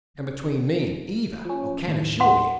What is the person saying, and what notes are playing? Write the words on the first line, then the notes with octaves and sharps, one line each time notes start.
"And between me and Eva, I can assure you."
F3 C#4
D#2 A2
F#5 C6